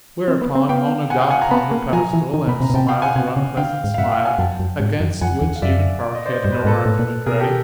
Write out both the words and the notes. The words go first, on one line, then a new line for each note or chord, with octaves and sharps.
Whereupon Mona got upon her pedestal and smiled her unpleasant smile, against which even Park had no argument ready.
C4
B3
C4
B3 F5 G5
F#5 G#5
F5 G5
F#5 G#5
G#5 A#5
B3 A5 B5
A#3
F3 G#5 A#5
E3
D#3
B2 B5
C3 A#5
B2
C3 G5 A5
F5 G5
F#5 G#5
C3 F#5 G#5
C#3
D3 F5 G5
G#2
F5
G2 E5 F#5
F5 G5
F#5 G#5
F#2 G5 A5
F#2
G#2
F#2
F2 F#5 G#5
E2
F5
F#2 D5 E5
D5
D#5
C5 D5
G2 C5
B4
A#4
G#2 A4 B4
A2
A#2
B2 G#4 A#4
G4 A4